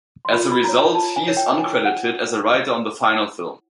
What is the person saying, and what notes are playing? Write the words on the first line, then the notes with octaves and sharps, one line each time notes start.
As a result, he is uncredited as a writer on the final film.
C6
F4 B5
B5
A#4 C#5 A#5
F4 A5
G#5
A#4 C#5
G5
E4 G#5
F#5